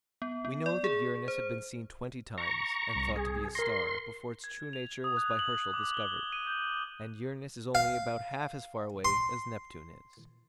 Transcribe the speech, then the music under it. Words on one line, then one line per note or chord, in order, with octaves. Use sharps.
We know that Uranus had been seen twenty times, and thought to be a star, before its true nature was by Herschel discovered; and Uranus is only about half as far away as Neptune is.
B3
B3
D5
G#4
C5
A#5 C#6
C2
G#4
A#4 C6 A#6
G#6
F7
D#6
F#6
F#7
D6
G7
D#7
G6
F5
C6